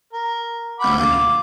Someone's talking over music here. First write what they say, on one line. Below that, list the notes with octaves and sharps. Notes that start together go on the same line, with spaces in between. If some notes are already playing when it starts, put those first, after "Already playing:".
I j
A#4
F#5 B5 D6
F4 D6